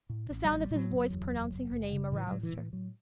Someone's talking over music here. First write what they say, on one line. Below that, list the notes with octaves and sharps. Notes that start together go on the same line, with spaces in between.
The sound of his voice pronouncing her name aroused her.
A2
A1
G3
A1
G3
A2 F#3
F#1
E2
F#1
F#1
F#1
C#3
A2 E3
F#3
A2
E3
A2
E3
A2 F#3